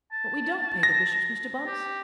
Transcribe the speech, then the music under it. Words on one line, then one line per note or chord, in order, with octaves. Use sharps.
"But we don't pay the bishops, Mr. Bunce."
A5
A#6
G4